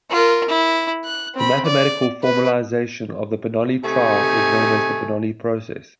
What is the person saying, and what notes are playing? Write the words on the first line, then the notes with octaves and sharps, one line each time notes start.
The mathematical formalisation of the Bernoulli trial is known as the Bernoulli process.
F4 A#4
E4
F#6
C4 B5
D5
B4
C3 A3 D#4 G#5